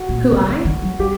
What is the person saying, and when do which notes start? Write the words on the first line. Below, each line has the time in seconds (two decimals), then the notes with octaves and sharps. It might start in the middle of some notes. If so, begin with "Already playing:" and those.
"Who, I?"
Already playing: F#4
0.09 A#2
0.32 C3
0.49 D3
0.65 D#3
0.82 F#3
0.99 G3 G4